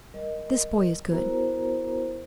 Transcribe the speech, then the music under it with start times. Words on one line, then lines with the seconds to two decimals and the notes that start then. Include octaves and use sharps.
"This boy is good."
0.14 G3 A#4 D#5
1.10 B3 E4 F#4 A#4 C5 A#5